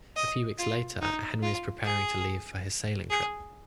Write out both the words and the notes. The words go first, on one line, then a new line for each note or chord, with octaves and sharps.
A few weeks later, Henry is preparing to leave for his sailing trip.
D#5
F4
D#4
F4
G#4
G#4